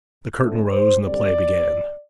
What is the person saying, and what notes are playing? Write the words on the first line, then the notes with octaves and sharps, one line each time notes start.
The curtain rose and the play began.
D3 A3 C4 A4
C5
D3 G3 C4 D5